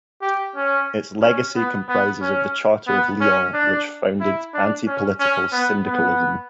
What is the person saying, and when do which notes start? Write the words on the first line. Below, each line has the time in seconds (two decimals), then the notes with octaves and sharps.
Its legacy comprises the charter of Lyons, which founded anti-political syndicalism.
0.22 G4
0.56 C#4
1.21 C#4
1.56 B3
1.89 B3
2.21 C#4
2.87 B3
3.21 C#4
3.53 D4
4.20 E4
4.54 D4
4.87 C#4
5.20 C#4
5.52 B3
5.86 B3